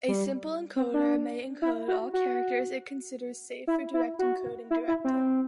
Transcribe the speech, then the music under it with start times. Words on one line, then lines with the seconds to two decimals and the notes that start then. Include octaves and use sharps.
A simple encoder may encode all characters it considers safe for direct encoding directly.
0.08 G3
0.76 C4
0.94 D4
1.62 E4
1.88 F#4
2.14 F#4
3.67 E4
3.94 E4
4.19 F#4
4.71 E4
4.88 E4
5.04 C4